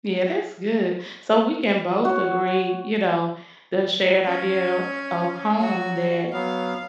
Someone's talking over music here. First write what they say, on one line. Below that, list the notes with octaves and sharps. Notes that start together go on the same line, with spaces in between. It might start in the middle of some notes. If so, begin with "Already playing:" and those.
Yeah, that's good. So we can both agree, you know, the shared idea of of home that,
F#4 C#5
C#4
F#3 F#4
F#3 B3 F5